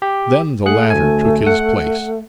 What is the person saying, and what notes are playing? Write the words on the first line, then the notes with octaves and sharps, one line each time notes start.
Then the latter took his place.
G4
A3 G#4 F#5 F#6
D2 G#5
F#5